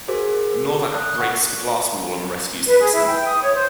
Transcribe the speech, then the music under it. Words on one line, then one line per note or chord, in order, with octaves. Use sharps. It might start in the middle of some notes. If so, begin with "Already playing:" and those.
Novak breaks the glass wall and rescues Hickson.
F#4 G#4 A#4 C5 D6
D5 D6 D#6 F#6
F#5 C#6
B4
G#4
E4
G5
D#6
C#5
C5